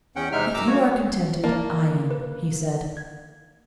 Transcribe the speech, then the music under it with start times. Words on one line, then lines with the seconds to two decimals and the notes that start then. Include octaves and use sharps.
'If you are contented, I am,' he said.
0.16 E2 C#4 F#5 G5
0.32 C3 G#3 D#4 E5 F6
0.54 F#2 B2 A#5 D6 E6
0.67 A#3 F#4 C#5
1.44 A#3 E4 D5 A5
2.11 B4
2.97 G#6